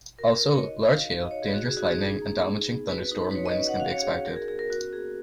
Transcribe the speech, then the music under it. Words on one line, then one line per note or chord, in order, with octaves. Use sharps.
Also, large hail, dangerous lightning and damaging thunderstorm winds can be expected.
F#4 A#4
A#4
D#4 B4
C#5
F#4 D#5
D#4 F5
F#4 F5
D#5
D#4 C#5
G#4
F#4
G#4
D#4 F#4
G#4
D#4
A#3
D#4
B3
F#4 B4
D#4 B4
B4
F#4 C#5
D#5
C#4 D#5
F#5
F#4 F5
C#5
D#4 G#4
F#4 A#4
G#4
B3 G#4
A#4
C#4 F#4
A#3 G#4